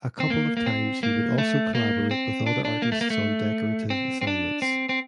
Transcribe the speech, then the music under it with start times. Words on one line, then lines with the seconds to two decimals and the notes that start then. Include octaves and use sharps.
A couple of times he would also collaborate with other artists on decorative assignments.
0.20 C4
0.30 A#3
0.57 A#3
0.66 C4
1.03 A#3
1.38 A3
1.75 A#3
2.11 C4
2.46 D4
2.65 D4
2.82 A#3
2.92 A3
3.01 A#3
3.10 A3
3.90 C4
4.21 C4
4.27 D4
4.62 C4
4.89 C4